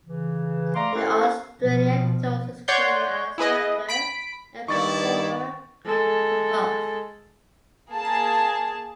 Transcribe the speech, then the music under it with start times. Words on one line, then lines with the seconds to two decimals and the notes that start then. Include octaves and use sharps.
In Australia Dorsey's career as an actor and performer quickly took off.
0.05 C#3 E3
0.75 A3 D5 F5 A#5 C6 D6
0.94 C#4 E4 G4 A4 C5 F#5
1.62 B2 F3
2.68 C#5 D5 F#5 C6 G6
3.38 E4 G#4 B4 D#5
3.89 B5 B6 D7
4.68 G2 D#3 D#4 E4 D5 C#6 A6
5.85 G#3 A4
7.91 A#3 G#4 A5